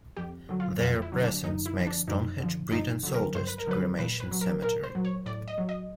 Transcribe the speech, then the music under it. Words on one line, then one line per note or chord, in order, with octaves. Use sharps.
Their presence makes Stonehenge Britain's oldest cremation cemetery.
F2 G4
D3 F#3
F4
F2 F4
E4
D3 F#3
D4
F#2 D#4
E4
D3 F3
D4
F#2 D#4
D3 F3
G2 D#4
D3 F#3
A#4
G2 C5
B4
A#4
D3 F#3 B4
A#2 B4
B4
F#3
A#4
A#2 A#4
C5
F#3
C#5
A2 D5
D#5
F#3
D#5